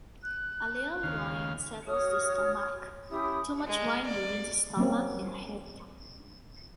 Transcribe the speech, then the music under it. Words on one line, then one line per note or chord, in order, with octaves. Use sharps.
A little wine settles the stomach, too much wine ruins stomach and head.
F#6
D#2 C#3 F5
F#4 C#5 D#6 F6
C#4 E4 G4 D#6
G#3
D5
F#3 A#3 C4 C#4